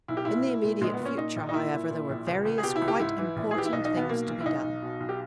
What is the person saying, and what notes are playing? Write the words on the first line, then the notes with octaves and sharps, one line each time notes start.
In the immediate future, however, there were various quite important things to be done.
B1 E4
G4
A#2 E4
A#2
A#2
A#1 G#3
B3
A#2
C#4
A#2 D#4
A#1
D#4
A#2 E4
A#2
A#2
A#1
C#2
C#2
G#4
B2 G4
E4
C#2
G4
G#2 E4
E3
A#1
G#4
E3 G4
E4
B1 D#4
D#4
B2
B3
B1 A#3
B1
E4
B1 D#4
B1
B2
B1
G4